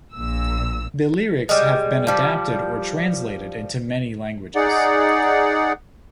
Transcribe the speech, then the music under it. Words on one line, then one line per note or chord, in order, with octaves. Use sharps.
The lyrics have been adapted or translated into many languages.
A#1 A#2 E6
G3 G#3
F3 G3
D#4 G#4 D5 F#5